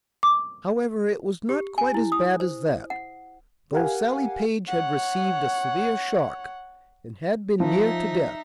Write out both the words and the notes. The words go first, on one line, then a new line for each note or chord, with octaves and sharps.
However it was not quite as bad as that, though Sallie Page had received a severe shock, and had been near to death.
D6
G4
G#5
E4
D#6
C5
F#5
G4 A#4 F5 F#5 G#5
C#5 F#5
F3 D#4 E5